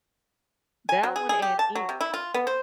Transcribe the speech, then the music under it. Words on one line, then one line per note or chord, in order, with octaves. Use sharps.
That one and Ink,
G#5
F#3
G#4
G#4
G4
A5
F#3
C3
E4
F4
B3
C5